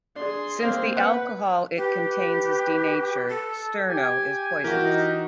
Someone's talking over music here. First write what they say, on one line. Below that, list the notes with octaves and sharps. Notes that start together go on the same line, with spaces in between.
Since the alcohol it contains is denatured, Sterno is poisonous.
D4 G#4 C6
A#3 C4
B4 F#5
G4 B4
A4
G4 G#5
E3 F#4 G4 A#4
D#4